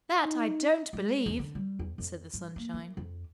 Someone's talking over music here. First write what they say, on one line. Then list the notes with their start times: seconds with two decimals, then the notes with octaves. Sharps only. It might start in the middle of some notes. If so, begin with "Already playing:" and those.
"That I don't believe," said the Sunshine.
0.23 D#4
0.93 G#3
1.26 E2
1.39 D3
1.55 G3
1.79 E2
1.98 F2
2.34 G2
2.56 A#3
2.74 D#3
2.97 F2